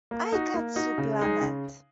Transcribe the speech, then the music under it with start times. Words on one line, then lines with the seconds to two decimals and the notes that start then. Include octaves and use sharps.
Aikatsu Planet!
0.11 A#3
0.32 D#4 F#4
0.54 A#3
0.76 D#4 F#4
0.98 C#3
1.19 G#3 D#4 G#4
1.41 C#3